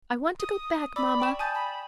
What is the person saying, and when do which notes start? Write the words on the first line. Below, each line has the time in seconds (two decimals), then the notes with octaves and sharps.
I want to go back, mamma.
0.39 D#6
0.96 D5 B5 D6 E6
1.20 G5 C#6 E7
1.39 G#5 A5 D#6 G6
1.54 B5